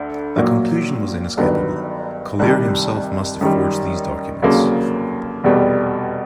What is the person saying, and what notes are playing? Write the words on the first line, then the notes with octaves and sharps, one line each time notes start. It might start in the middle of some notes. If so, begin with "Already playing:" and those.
The conclusion was inescapable-Collier himself must have forged these documents.
Already playing: D2 D3
A#1 A#2 F#3 A#3
G1 G2 D#3 F#3 B3
C2 C3 D#3 G3
F#2 D#3 G3
F1 D#2 C#3 F#3 A#3
F1 E2 B2 G3